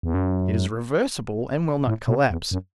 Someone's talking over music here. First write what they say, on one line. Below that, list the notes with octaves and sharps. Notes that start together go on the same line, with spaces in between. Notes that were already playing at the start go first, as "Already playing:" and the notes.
It is reversible and will not collapse.
E2
F#2
A2
B2
E2
F#2